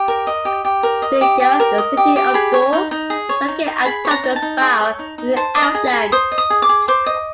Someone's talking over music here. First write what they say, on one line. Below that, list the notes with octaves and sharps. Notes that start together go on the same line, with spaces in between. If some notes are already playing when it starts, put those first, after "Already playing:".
"Sigil", the "City of Doors", is located atop the "Spire" in the Outlands.
Already playing: G4
A#4
D#5
G4
G4
A#4
D#5
G4
G4
A#4
D#5
G4
G4
G#4 B5
C#5
D#4
D#4
G#4
C#5
D#4
D#4
G#4 B5
C#5
A#5
D#4
A5
D#4
G#4
C#5
D#4
D#4
C5 A5
D#5
A#5
G#4
B5
G#4
C5 D#6
D#5
D#6
G#4
D6
G#4
C5 D6
D#5